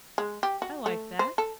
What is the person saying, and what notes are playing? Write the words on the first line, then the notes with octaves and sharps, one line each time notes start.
I like that.
G#3
G4
F#4
A3
C5
A4